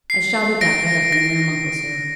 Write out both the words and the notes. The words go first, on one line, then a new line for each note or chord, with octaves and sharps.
I shall be back, I reckon, in a month or so.'
C7
A#6 D7
A#6